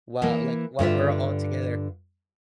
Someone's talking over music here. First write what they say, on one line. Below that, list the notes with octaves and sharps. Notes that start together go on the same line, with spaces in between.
while like, while we're all together,
E3 A#3
G2 D3 F4 E5